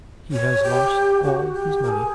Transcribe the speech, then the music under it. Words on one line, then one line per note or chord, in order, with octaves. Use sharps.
He has lost all his money....
C#5
G4
F#4
G4
A#4
G#4